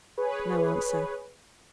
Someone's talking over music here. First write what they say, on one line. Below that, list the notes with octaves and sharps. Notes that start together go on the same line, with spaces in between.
No answer.
G#4 B4 C#5